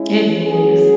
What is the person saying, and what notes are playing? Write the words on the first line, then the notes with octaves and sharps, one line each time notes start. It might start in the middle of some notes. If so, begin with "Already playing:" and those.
It is.
Already playing: G#3 C#4 E4
F#3 C#4 G#4